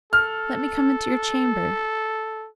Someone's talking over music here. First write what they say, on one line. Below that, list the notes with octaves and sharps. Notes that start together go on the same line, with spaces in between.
Let me come into your chamber.
A4 F6